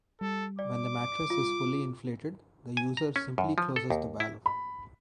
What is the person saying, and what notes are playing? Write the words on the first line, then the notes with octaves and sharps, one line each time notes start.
When the mattress has fully inflated, the user simply closes the valve.
G3 A4
D5 D6
F4
G#5
A#5
C#4
F#2
F3
A4
D#2
E4
B5